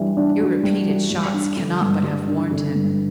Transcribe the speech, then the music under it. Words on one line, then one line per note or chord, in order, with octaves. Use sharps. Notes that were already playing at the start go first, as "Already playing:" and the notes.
Your repeated shots cannot but have warned him.
Already playing: E3 G3 D4
D4
F#4
G3
E3
G3
D4
D3
G2
G3
D4
D3
G2